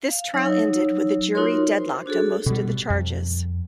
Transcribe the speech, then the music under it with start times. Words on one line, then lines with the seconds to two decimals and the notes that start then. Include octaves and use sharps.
This trial ended with a jury deadlocked on most of the charges.
0.10 F5
0.34 F#3 D#4 C#5 E6
1.35 D#4 F4 F#4 A#4 C#5 C6
1.72 C5
2.06 D4 F#4 G#4 A4
2.46 B2 G3
2.90 F2